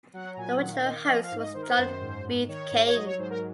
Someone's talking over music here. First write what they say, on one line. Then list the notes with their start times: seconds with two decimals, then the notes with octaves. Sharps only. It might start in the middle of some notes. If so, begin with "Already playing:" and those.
The original host was John Reed King.
0.13 F#3 F#5
0.33 A#5
0.37 A#2 G#5
0.61 D#3 F#5
0.72 F5
0.84 D#3 D#5
0.95 F5
1.08 F3 D#5
1.23 F5
1.31 G#2
1.38 D#5
1.54 D#3 C5
1.62 A#4
1.69 C5
1.77 F#2
2.01 G#2
2.24 G#2
2.47 D#3 C#5
2.71 G#2
2.87 C#5
2.95 F#3 D#5
3.06 C#5
3.18 G#2 C5
3.30 A#4